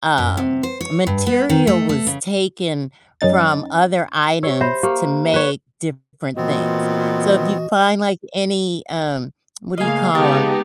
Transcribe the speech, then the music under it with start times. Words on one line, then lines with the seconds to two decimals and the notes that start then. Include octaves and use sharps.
um, material was taken from other items to make different things. So if you find like any, um, what do you call 'em?
0.18 F#2
0.37 C3
0.63 C5
0.81 C#5
1.07 G2
1.27 B3
1.49 D#3
1.67 A3
1.89 A3
2.07 C#3
3.21 F#2 C#4 D#4 A6
4.43 G4 C#5 E6
4.61 C5 E5 B5
4.83 A#3 G4
5.34 B4 C#5
6.37 A#2 E3 B3 C4 F#4 D#5
9.78 C#3 A3 A#3 D#5 F5 G#5
10.15 C#3 G#3 B3 D#4 G4 A5